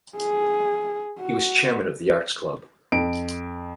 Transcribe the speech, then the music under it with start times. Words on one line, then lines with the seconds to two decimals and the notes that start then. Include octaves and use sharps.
He was Chairman of The Arts Club.
0.18 G#4
1.20 F#4
2.92 F2 D7